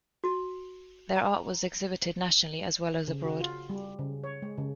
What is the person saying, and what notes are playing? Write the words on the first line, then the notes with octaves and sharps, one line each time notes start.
Their art was exhibited nationally as well as abroad.
F#4
A#5
C#3
F#4
F4
G3
C#3
C#5
G#3
C#3